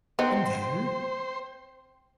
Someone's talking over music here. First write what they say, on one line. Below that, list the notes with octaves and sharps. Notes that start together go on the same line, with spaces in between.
"And then?"
B3 C4 D#4 C5